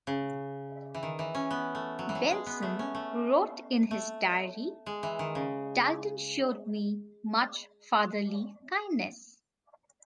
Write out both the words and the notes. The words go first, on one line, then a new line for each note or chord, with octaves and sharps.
Benson wrote in his diary "Dalton showed me much fatherly kindness".
C#3
E3
D#3
E3
C#4
B3
A3
F#3
E3
F#3
G#3
B3
A3
C#4
A3
A3
G#3
E3
D#3
C#3